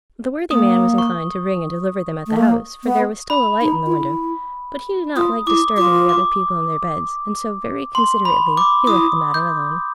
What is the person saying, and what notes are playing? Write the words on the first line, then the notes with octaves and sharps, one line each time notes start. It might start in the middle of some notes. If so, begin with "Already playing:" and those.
The worthy man was inclined to ring and deliver them at the house, for there was still a light in the window; but he did not like disturbing the other people in their beds, and so very considerately he left the matter alone.
A#3 D#6
C#6
A3
A#3
B3
B5
D#4
F4
E4
F4 D#6
E4 D6
F4 D6
D6
C6
B5
D6
E4 D#6
G6